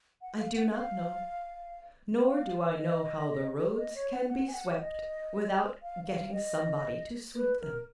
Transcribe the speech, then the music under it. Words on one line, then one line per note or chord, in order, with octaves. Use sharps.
I do not know; nor do I know how the roads can be swept without getting somebody to sweep them.
F#5
F5
F#5
F5
F5
D#5
D#5
C#5
F#5
F#5
G#5
F#5
D#5
F5
F5
D#5
B4
A#4